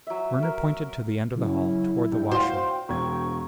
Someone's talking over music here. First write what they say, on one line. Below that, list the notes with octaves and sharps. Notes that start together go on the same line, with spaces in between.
Werner pointed to the end of the hall, toward the washroom.
F#3 E5
A#4
C#3 F#3 C#4 E4
G2 G5
F#4 C5 F5
E1 C#6 G#6